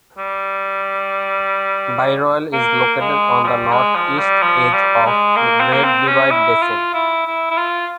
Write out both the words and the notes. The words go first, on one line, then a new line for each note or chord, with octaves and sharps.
Bairoil is located on the northeast edge of the Great Divide Basin.
G3
A#3
G#3
F3
G3
G#3
F3
G3
F3
G3
G#3
A#3
C4
A#3
C4
C#4
E4
F4
E4
E4
E4
F4